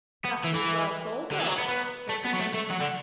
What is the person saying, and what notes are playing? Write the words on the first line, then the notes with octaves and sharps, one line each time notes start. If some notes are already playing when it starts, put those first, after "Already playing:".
"That is well thought of," said the King.
B3
E3
E3
D3
E3
F#3
B3
B3
A3
B3
F#3
A3
A3
F#3
D3